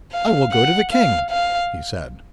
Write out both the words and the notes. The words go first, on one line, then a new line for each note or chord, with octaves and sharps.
"I will go to the king," he said.
F5
F#5
F5
F5